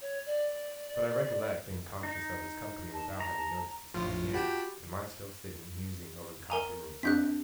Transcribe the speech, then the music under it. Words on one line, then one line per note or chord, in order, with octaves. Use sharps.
But I recollect being conscious of his company without having noticed his coming in--and my still sitting, musing, over the coffee-room fire.
C#5
D5
D#4
A5
A#5
A#1 A2 F3 F4
F#4 G4 G5 A5 B5
A#4 G#5 A#5
C4 D4 G4 F#6 G6 B6